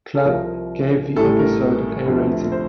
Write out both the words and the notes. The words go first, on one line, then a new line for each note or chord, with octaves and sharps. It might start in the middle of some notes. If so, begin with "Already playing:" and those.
Club gave the episode an A rating.
A4
C2 C3 F3 A#4
A1 A2 G3 A4
A#4
D2 C3 F3
C5